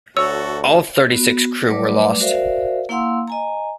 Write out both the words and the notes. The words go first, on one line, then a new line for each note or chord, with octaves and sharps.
All thirty-six crew were lost.
D2 F#4 A4 C#5 E6
B3 F#4
F#3 G3 A3 B4 D5 D6
F#4 A#4 C5 D5 E5 F5
A#3 E4 F5 F#5 C6 E6
D#5 G#5 A#5